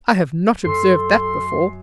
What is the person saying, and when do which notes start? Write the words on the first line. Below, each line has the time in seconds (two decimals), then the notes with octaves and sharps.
I have not observed that before.
0.65 F#2 A4 C6